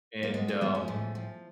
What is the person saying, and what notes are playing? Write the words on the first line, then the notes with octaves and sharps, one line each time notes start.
And, um,
A#3
G#3 B3
C4
F3 B3
C#4
A2
F3